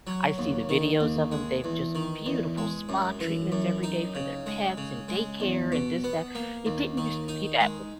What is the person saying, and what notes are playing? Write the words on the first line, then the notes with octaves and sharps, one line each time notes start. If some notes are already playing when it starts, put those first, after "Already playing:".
I see the videos of them, they've just beautiful spa treatments every day for their pets, and daycare, and this that, it didn't used to be that w
F#3
D#2
D#3
D#2
G#3
E2
D#3
E2
G#3
F#2
E3
F#2
D#4
C#3
G#3
C#3
G#3
E2
B2
B3
A#3
D#2
D#3
D#4
G#3